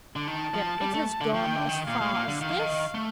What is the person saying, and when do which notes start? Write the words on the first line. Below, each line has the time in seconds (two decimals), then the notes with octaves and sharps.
"Then it has gone as far as this?"
0.16 D3
0.27 D#3 A5
0.54 F3
0.81 G3
0.94 A3
1.21 D3
1.34 F3 G5
1.45 D#3
1.56 D3
1.69 D#3
1.88 A#2 F5
2.01 A2
2.14 A#2
2.28 D3
2.41 D#3 F5
2.50 F3
2.59 D#3
2.95 A3